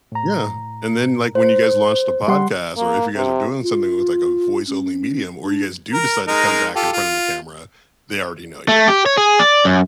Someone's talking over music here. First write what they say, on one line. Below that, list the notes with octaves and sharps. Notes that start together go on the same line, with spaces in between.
Yeah, and then, like, when you guys launch a podcast, or if you guys are doing something with, like, a voice-only medium, or you guys do decide to come back in front of the camera, they already know you.
A2 A#5
C5
G3 F#5 C6
A#3
C3
F4
C#4
D4
A#4
G#3 D#4 A#4
F4 G4 A4
F4
A3
G4
C#5
G#4
D5
F#2